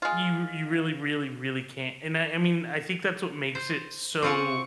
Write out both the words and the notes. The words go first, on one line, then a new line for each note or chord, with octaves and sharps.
You you really, really, really can't, and I I mean, I think that's what makes it so
G#3 F4
C5
C4 F4 F#5 C#6